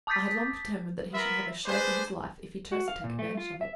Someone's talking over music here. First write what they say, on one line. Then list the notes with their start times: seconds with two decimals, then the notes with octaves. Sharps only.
I had long determined that he should have a show for his life if he chose to take advantage of it.
0.07 A5 D6 D#6 G6 A6 B6
1.12 B3 F4 A#4 E5 B5
1.64 D4 G#4 B4 C5
2.72 F#4
2.88 F5
3.04 A#2
3.19 A3
3.37 F4
3.61 E5